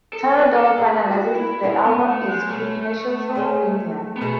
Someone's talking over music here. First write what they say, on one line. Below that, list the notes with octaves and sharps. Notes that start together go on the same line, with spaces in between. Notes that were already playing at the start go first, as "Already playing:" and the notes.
Tarradell finalises with the album is "quintessential Enya".
A4
B4
A4
A2 E3 A3 G#4
F#4
E4
A2 E3 G#3 C#4
B3
A3
G#3
B2 G#3 A3 C#4
G#3 C#4 G#4 D#5
B3
B2 G#3 A3 D#4